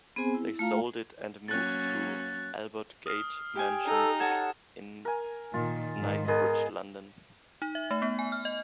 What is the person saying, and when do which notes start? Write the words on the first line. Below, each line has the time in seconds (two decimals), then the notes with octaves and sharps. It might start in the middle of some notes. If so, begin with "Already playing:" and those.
They sold it and moved to Albert Gate Mansions in Knightsbridge, London.
0.16 B3 C4 G#4 C5 G#5
0.34 E4
0.59 A3 F4 F5 A#5
1.48 F#3 A#3 C#4 F#6 A6
3.06 D#6 F6 C7
3.55 G4 G5 G#5
3.86 D#4 A4
4.20 A4 C#5 F#5 G#6 A6 E7
5.05 A#4 G#5
5.54 A#2 D#3 F4
5.97 G#2 D#3
6.28 B3 G#4 A#4 D#5
7.62 D#4
7.75 E5
7.91 A3
8.02 B3
8.19 G#5
8.32 F6
8.45 D#5